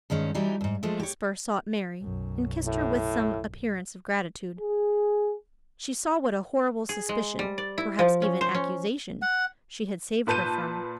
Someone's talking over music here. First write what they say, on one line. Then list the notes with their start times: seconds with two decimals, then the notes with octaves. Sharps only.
Hesper sought Mary, and kissed her with some appearance of gratitude. She saw what a horrible suspicion, perhaps even accusation, she had saved her from.
0.10 G2 D#3 G#3 C#4
0.34 E3 F#3 G3 D#4
0.61 F2 G#2
0.83 F3 G#3 A3
1.00 G4 C#5
2.02 B1 F#2
2.67 A2
4.60 G#4
6.89 G#4
7.09 G#3
7.39 G3
7.58 D5
7.78 E4
7.99 F3
8.22 C#4
8.41 C5
8.55 C#4
9.22 F#5
10.27 A#2 B4 A5 G6 D#7